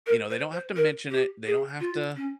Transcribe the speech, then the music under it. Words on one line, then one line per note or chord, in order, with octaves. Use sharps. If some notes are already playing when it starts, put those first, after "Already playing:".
you know, they don't have to mention it, they don't have to
A#4
C5
C5
A#4
G4
G#4
F4
C#4